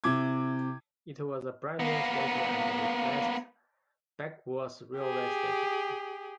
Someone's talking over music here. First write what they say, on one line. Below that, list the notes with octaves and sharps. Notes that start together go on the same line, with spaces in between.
It was a brand-new station, and replaced Backworth railway station.
C3 E4 D6 G#6
A#3 B3
G4 G#4